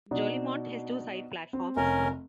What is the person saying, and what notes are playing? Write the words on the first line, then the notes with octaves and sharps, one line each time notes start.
Jolimont has two side platforms.
B2 D4 D#4
C4
F1 C#4 A#4